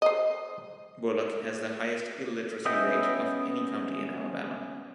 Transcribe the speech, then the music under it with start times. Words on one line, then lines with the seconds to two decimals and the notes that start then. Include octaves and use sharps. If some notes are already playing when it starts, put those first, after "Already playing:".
Bullock has the highest illiteracy rate of any county in Alabama.
0.02 C5 D#5
2.65 B3 C#4 D#5 E5 G5